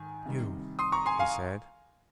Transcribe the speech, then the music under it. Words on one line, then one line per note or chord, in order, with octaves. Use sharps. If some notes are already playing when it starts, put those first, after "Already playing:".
"You?" he said.
Already playing: G#2 D#3 G#5
C3 D#3 G3
C6 D#6
A#5 C#6
G#5 C6
F5 G#5